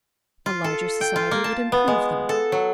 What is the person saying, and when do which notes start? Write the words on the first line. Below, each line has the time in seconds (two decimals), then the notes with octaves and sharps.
A larger society would improve them.
0.46 F4
0.64 A4
1.01 G5
1.16 F4
1.31 A#3
1.44 A5
1.72 B3
1.88 G#3
2.29 A4
2.52 F#3